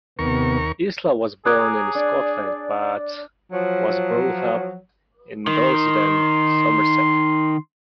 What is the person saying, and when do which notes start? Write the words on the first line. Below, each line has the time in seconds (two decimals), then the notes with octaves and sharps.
Isla was born in Scotland but was brought up in Dorset and Somerset.
0.19 D#2 C3 B3 A#4 C#6
1.45 G#4 C#5 G#5 A#5 D6 D#6 F#6 G#6
1.95 D4 D5
3.52 F3 F#3
5.47 D#3 C6